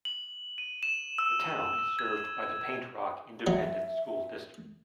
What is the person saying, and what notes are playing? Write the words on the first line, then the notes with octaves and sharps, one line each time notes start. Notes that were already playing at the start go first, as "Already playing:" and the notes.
The town is served by the Paint Rock Independent School District.
F#7
D#7
E7
E6
G#6
F#3 E5